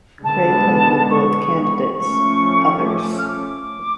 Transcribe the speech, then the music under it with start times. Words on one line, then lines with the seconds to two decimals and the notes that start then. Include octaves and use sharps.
Craig labelled both candidates: "Others".
0.24 D3 G#3 B3 A5
1.10 C#6
1.97 F3 A3 C#4 C#6
2.85 D6
2.96 D6
3.18 F6
3.28 D6